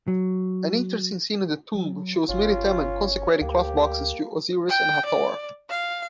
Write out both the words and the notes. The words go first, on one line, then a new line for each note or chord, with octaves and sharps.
An interesting scene in the tomb shows Meritamen consecrating cloth-boxes to Osiris and Hathor.
F#3
F#3
G1 C#4 F4
D2 A#3 G4
G5
D5
F5